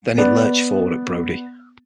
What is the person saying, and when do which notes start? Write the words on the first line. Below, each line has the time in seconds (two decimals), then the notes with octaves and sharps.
Then he lurched forward at Brody.
0.18 B3 D5